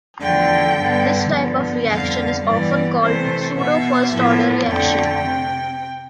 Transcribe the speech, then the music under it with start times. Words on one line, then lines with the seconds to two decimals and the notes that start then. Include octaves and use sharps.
This type of reaction is often called a pseudo first order reaction.
0.20 E2 D3 F3 A3 G5
0.77 G2 D3 G3 B3
1.32 G2 D3 F3 B3
1.88 F2 D3 G3 B3 F5
2.43 G2 E3 G3 B3 D5
3.00 C3 E3 A3 C5
3.56 B2 B3 E5
4.12 A2 F3 B3
4.68 F2 D3 A3 G5
5.24 C3